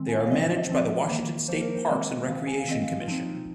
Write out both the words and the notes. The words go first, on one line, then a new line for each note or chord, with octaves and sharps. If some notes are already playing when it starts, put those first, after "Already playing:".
They are managed by the Washington State Parks and Recreation Commission.
Already playing: D#3 G#3 C4
G#5
F5
F3 C4 D#5
C5
D#5
F3 C4
D#3 A#3
F3 A#3 C5
A#4
C5
D#3 G#3 C4 D#5
D#3 C4 F5
G#5
F5
D#3 C4 D#5
F5
F4
F3 C4 D#4